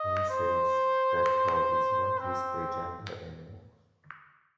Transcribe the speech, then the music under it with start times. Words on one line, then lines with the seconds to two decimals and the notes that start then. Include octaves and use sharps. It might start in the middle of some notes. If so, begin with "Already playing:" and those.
He says that love is not his agenda anymore.
Already playing: D#5
0.30 C5
2.19 C4